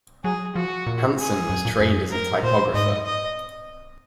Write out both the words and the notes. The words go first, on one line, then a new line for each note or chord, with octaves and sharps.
Hansen was trained as a typographer.
F#3 G#4
F3 F#4
A#2
G#4
F#2
A#2
F#2
A#4
A#2 C5
G#2 D#5
D#5